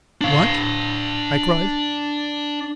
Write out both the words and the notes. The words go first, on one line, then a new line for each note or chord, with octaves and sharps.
"What!" I cried.
D4 F5